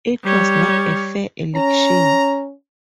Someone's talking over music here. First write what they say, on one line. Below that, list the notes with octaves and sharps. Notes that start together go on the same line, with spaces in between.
It was not a fair election.
G3 C#5
C#4 A#5